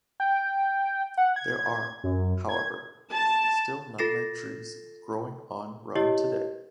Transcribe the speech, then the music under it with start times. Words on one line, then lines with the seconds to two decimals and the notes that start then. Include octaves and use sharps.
There are, however, still nutmeg trees growing on Run today.
0.20 G5
1.18 F#5
1.36 G#6
2.04 F#2
2.49 G#6
3.13 A5
3.98 F4 A4 A6 A#6 C7 E7
5.95 E4 G4 C#5 D#5